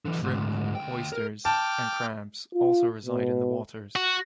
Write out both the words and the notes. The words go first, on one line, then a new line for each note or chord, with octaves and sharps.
Shrimp, Oysters and crabs also reside in the waters.
D3 E3
D2 G#2
D2 G5
A#4
G5 A5 D6 F6
F4
B2
F#4